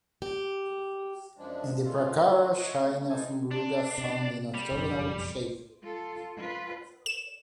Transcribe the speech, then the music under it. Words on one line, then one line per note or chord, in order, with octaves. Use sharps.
In the prakara shrine of Muruga found in octagonal shape.
G4
F#2 F3 G#3 D4
D3 E3 G#3 A3 F4
C#5 D#5 E5 F#5 C6 C#6
B2 A3
A2 G#3 A3 D#4 G#5 A5
D4
C3
G3
F#1 B1 F2
F4 A4
F4 B4
E7